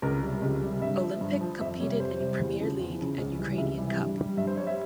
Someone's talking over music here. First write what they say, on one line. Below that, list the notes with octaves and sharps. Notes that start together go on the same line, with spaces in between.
Olimpik competed in Premier League and Ukrainian Cup.
C#2 A#4
C3 G3
C#2
C3 G3
G2 E5
F3
G2
F3
F2 E5
C3 G3 C#5
F2 C5
C3 G3
E2
C#3 F3
E2
C#3 F3
C#2
C3 E3 G3
C#2 E5
C3 E3 G3
G2
G3
G2 E5
C5
G3 C#5
E5